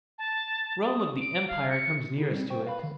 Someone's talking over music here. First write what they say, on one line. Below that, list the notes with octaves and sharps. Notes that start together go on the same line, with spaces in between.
"Rome of the Empire comes nearest to it...."
A5
D#6
D7
F5
C#7
D#4 E4 G#4
G3 C4
C5 G5 C#6
B4 F5 B5
D3 D#3